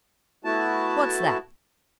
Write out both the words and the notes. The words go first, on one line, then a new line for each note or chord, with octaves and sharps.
"What's that?"
A3 B3 E4 F#4 A5